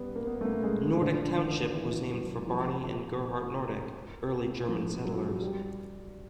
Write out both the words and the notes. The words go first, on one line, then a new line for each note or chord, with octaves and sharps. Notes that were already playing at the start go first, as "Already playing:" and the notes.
Nordick Township was named for Barney and Gerhard Nordick, early German settlers.
Already playing: G3 B3
A#3
B3
A3
A#3
G#3
D3
D#3
E3
F#3
F3
F3
F#3
G3